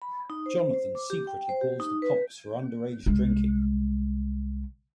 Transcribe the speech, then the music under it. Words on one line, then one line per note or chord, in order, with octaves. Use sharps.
Jonathan secretly calls the cops for underage drinking.
B5
D#4
C5
C5
D6
G4
G5
C5
G4
D#4
B4
C2 G#3